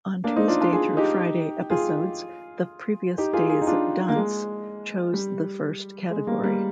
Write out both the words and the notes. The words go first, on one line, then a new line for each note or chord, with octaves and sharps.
On Tuesday through Friday episodes, the previous day's dunce chose the first category.
A#3 D4
C4 D#4
D4 F4
D4 F4
F4 G#4
D#4 G4
F4 G#4
D#4 G4
F4 G#4
F4 G#4
D#4
D4 F4
A#3
G#3
G3
G#3
G3 A#3
G3 A#3